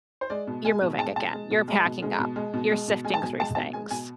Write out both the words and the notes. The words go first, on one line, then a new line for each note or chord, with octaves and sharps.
You're moving again, you're packing up, you're sifting through things
C5
G#3 D5
B2
G#3 G#5
B2
G#3 A5
B2 A5
G#3
B2
G#3
B2
G#3
B2
G#3
B2
G#3
B2
G#3 G#5
A5
B2 G#5
G#3 A5
B2 A5
G#3 G#5
B2 G#5